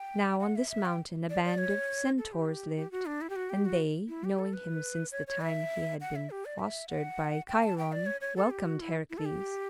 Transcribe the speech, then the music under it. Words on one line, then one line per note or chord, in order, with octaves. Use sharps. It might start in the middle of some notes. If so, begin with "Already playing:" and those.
Now on this mountain a band of centaurs lived, and they, knowing him since the time he had been fostered by Chiron, welcomed Heracles.
Already playing: G5
F#5
E5
E5
G5
D5
D5
C#5
A4
G4
G4
F#4
D4
E4
G4
F#4
G4
F#4
E4
G4
A4
B4
C#5
C#5
E5
F#5
E5
G4
D5
E5
F#5
G5
A5
G5
D5
C#5
C#5
A4
G4
F#4
E4
E4
A4
G4